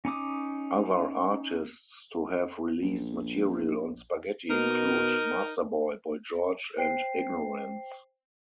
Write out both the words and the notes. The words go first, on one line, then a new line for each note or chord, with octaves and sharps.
Other artists to have released material on Spaghetti include Masterboy, Boy George and Ignorants.
C#4 D#4 D6 D#6
A#1
B2 D#4 A#4
C5 G5 C7